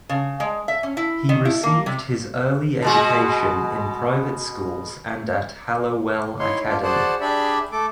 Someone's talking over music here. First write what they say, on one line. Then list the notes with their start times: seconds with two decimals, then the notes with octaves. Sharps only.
He received his early education in private schools and at Hallowell Academy.
0.09 C#3
0.40 G#3
0.68 E5
0.83 C#4
0.97 E4
1.29 D#3
1.45 E4
1.63 A#3
1.86 C3
2.82 B2 G#3 F#4
6.39 D#4 E4 C#5 C6
6.68 D4 F4
6.83 F#4 G#4 C5 D5 F#5 A5
7.21 D4 G4 G#4 D5 E5 B5
7.72 A3 A4 D6